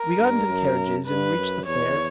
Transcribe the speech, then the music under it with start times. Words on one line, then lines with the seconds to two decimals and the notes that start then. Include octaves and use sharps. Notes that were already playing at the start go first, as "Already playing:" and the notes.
We got into the carriages, and reached the fair.
Already playing: A#4
0.18 G2
0.47 F#2
1.06 G2 B4
1.37 F#2
1.66 E2 C#5